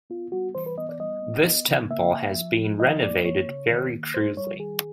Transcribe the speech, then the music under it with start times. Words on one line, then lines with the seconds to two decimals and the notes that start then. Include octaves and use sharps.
This temple has been renovated very crudely.
0.10 B3 F4
0.32 G3 F#4
0.55 E3 C5
0.66 B4
0.78 B3 D#5
0.89 D5
1.00 G3 D#5
1.22 B3
1.45 B3
1.68 C#3
1.89 A#3 E5
2.12 A#3
2.35 F3
2.57 F3
2.80 F3 D#5
3.02 A#3 D5
3.24 A#3 C#5
3.47 C#3
3.70 D#3
3.93 A#3
4.14 G3 C5
4.37 G3 C#5
4.59 D#3 G#4